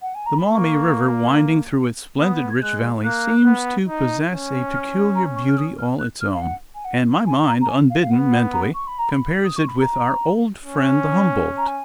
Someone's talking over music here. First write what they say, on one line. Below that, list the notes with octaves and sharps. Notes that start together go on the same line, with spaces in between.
The Maumee River, winding through its splendid rich valley, seems to possess a peculiar beauty all its own, and my mind, unbidden, mentally compares it with our old friend, the Humboldt.
F#5
G#5
A#5
B5
A#3 C#6
B3 D#6
G#6
G#3 F#6
A#3 F#6
B3
D#4
C#4
F6
A#5
C#6
F6
D#6
F6
F#6
F6
F5
F#5
G#5
F#5
G#5
A#5
A#5
G#5
F5
F5
B3 F#5
F#5
A#5
C#6
B5
A#5
B5
D#6
C#6
B5
A#5
C#4
G#5
A#5
G#5